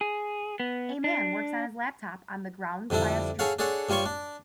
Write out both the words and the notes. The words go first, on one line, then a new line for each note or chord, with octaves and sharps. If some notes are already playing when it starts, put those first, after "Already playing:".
A man works on his laptop on the ground by a street.
G#4
B3
D4
F2 D3 G3 D4 E4
G#4 A4 C#5 F5 F#5
D4 G#4 A4 C#5 F#5
G2 G3 F4 C#5 C#6
D4